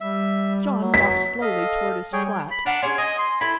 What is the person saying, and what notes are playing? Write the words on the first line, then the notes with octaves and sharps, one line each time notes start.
John walked slowly toward his flat.
G3 E5
F#3
B6
A4 D#5 F5
G3 G#4 C#5 G5
B5
D4 A#4 F#5
C#4 G#4 C6
D#5 G#5
C6
E4 A4 B5